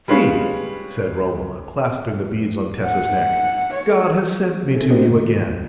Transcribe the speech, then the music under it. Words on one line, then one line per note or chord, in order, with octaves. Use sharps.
"See," said Romola, clasping the beads on Tessa's neck, "God has sent me to you again."
G3 G#3 B4 C#5 F5
F#5
C#5
C4 E4 G#4 A4
D4 F#4 G4 A#4 C5 D#5
G2 C#3
D#3
G2